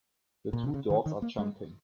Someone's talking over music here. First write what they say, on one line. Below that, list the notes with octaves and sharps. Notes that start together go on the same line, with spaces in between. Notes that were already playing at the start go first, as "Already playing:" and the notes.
The two dogs are jumping.
A#2
C3
C#3
D#3
D#3
A#3
G#3